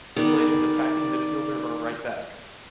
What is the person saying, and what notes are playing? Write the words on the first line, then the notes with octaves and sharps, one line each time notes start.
He plays as attacking midfielder or right back.
D#3 B3 G#4 D5